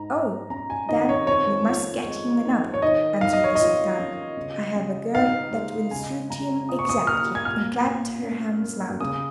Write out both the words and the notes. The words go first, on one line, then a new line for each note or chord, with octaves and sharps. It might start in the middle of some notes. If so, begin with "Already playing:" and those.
'Oh, then we must get him another,' answered the Sultana; 'I have a girl that will suit him exactly,' and clapped her hands loudly.
Already playing: G#2 A#5
G#2
C#4 A#5
G#5
D#3 D#5
C#5
F2 C#5
F4
G#3
D#3
C#5
D#3 D#5
D#3 F5
D#5
C#5
F4 D#5
C#4
C#3
C#3
D#4 F5
G#3
C#3 G#5
C#3 A#5
F4 D#6
C#6
D#6
A#3 F6
G#6
A#2 F6
A#2
C#4
A#3
C#3 D#6